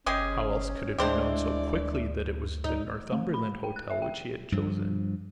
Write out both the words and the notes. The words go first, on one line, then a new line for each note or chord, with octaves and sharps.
How else could it be known so quickly that it was the Northumberland Hotel which he had chosen?
G1 G#3 C#4 G4 G#4
D2 E3 G#3 D4 G4 C5 D5
D#4
A3
B5
G5
F#6
E5
G5
G2 F3